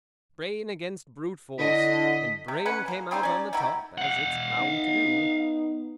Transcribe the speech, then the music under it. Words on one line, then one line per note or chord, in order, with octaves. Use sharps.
'Brain against brute force--and brain came out on the top--as it's bound to do.
D3 E4 D#5 B6
C3
C#4 B4 F#5
A#3
C#3 C4 D#4 C5
C#4 D5
D#3 F#3 E4 G4
F5 F#5
B3 D#4